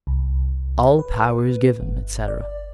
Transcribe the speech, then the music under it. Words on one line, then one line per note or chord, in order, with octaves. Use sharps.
"All power is given," etc.
C2
B4
G1
D5